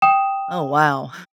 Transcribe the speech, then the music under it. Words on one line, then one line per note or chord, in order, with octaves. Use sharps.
Oh, wow.
G5 D#6 E7